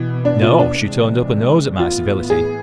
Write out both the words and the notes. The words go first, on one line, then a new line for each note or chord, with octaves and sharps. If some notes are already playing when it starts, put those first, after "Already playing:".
No, she turned up her nose at my civility.
Already playing: B2 E3 B3
D4
F4
D4
C3 E3 G#3
A2 E3 B3 F4
G#4